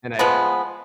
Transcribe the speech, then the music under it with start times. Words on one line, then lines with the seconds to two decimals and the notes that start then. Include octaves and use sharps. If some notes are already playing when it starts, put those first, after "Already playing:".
And I th
0.19 F3 G#3 B3